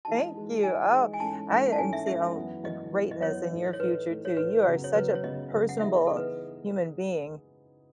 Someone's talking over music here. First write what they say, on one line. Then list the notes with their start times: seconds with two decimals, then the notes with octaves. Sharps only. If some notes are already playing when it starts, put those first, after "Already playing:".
Thank you. Oh, I, um, see, um, a greatness in your future too. You are such a personable human being.
0.05 E3 G#3 D#4 F#4 A5
0.34 E3 G#3 D#4 F#4
0.62 E3 G#3 D#4 F#4 G#5
0.91 E3 G#3 D#4 F#4
1.14 G#5
1.20 G#2 E3 A3 C#4 A5
1.50 G#2 E3 A3 C#4
1.72 A5
1.78 G#2 E3 A3 C#4 G#5
1.93 E5
2.07 G#2 E3 A3 C#4 E5
2.35 F#2 E3 B3
2.64 F#2 E3 B3 D#5
2.93 F#2 E3 B3
3.11 D#5
3.21 F#2 E3 B3 C#5
3.51 A2 E3 A3 D#4
3.73 C#5
3.79 A2 E3 A3 D#4 B4
4.08 A2 E3 A3 D#4
4.25 C#5
4.37 A2 E3 A3 D#4 B4
4.65 F#2 C#3 F#3 B3
4.84 C#5
4.94 F#2 C#3 F#3 B3 B4
5.15 C#5
5.23 F#2 C#3 F#3 B3 D#5
5.52 F#2 C#3 F#3 B3
5.69 F#5
5.80 E3 B3 D#4 G#4 E5
6.07 E3 B3 D#4 G#4 A4
6.17 B4